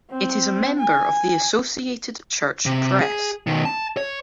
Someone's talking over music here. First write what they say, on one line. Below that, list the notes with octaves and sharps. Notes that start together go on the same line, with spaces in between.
It is a member of the Associated Church Press.
C4
G#5
C3
G#4
B2 D#3
A5
C#5